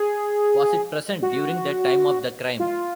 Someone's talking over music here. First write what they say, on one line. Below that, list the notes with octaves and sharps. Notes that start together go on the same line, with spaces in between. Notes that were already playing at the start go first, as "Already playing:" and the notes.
Was it present during the time of the crime?
Already playing: G#4
F#4
F4